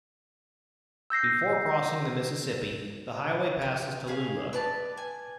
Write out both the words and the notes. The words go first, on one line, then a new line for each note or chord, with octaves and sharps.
Before crossing the Mississippi, the highway passes Tallulah.
E6 G6 A#6 C7
B3
C#4 G#4 F5
B4 D5 A5
G#5